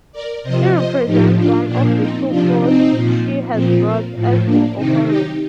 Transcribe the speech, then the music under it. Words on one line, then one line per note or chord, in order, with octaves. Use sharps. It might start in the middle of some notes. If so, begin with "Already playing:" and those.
He presents one of the two cloths she has brought as an offering.
A#4 D5
C3 F3 C5 D#5
C5 D#5
A2 F3 D#4 G4
D4 F4
A#2 F3 A#3 D4
C4 D#4
C3 F3 D4 F4
C4 D#4
A#2 F3
A#2 F3 C4
A#3
A2 F3
A#3 D4
C3 D#3 C4 D#4
D#4 G4